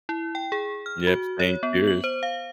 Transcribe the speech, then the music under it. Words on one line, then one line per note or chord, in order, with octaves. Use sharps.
yep, staying curious.
E4
G5
G#4
F6
F#4
C#5
B3
F#7
C5
F5